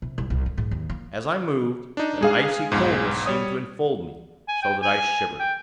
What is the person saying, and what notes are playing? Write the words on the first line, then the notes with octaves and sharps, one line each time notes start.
As I moved, an icy coldness seemed to enfold me, so that I shivered.
C3
C2
C2
G1
G#2
D#2
A#3
D4 D#4
G#3 G#4 F5
B1 F2 G#2
G3 C#5 D#6
G#5
G5
G#5
G5